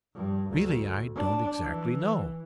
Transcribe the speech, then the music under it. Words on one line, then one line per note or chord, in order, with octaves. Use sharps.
"Really, I don't exactly know."
G2
D2
D4
E3